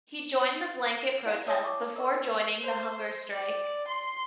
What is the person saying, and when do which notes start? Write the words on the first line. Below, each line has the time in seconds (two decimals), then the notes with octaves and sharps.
He joined the blanket protest before joining the hunger strike.
1.26 E4 D5 F5 F#5 A#5
1.47 C#5 E5 A5 D#6 E6
1.64 C#6 D6
1.96 A#4 D#5 C#6
2.08 G#5
2.63 C5
3.32 D5
3.88 C6